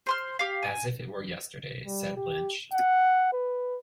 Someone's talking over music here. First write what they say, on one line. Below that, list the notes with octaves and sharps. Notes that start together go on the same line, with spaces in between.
"As if it were yesterday," said Lynch.
C5 C6 F6
G4 F5
G#5
G3
G4
F#5
B4